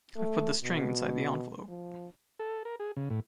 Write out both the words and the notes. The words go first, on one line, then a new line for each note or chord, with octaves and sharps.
I've put the string inside the envelope.
A3
B2
F3
A4
A#4
G#4
C#3
A2